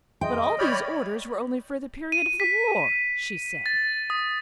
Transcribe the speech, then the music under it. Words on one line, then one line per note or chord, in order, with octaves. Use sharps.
"But all these orders were only for the period of the war," she said.
G#4 D#5 E5 G5 C6
C#5 D5 B5 F6 G6 A#6
D#7
B6
A6
D#6